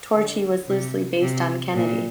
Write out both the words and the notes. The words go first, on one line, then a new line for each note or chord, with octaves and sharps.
Torchy was loosely based on Kennedy.
D3
C3
C3
A#2